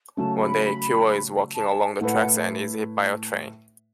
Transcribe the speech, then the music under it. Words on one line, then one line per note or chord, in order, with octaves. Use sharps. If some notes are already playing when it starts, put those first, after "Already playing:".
One day Ikuo is walking along the tracks and is hit by a train.
C#3 F#3 A3 C#4 A5
B5
A5
A2 A3 E4 B4 F#5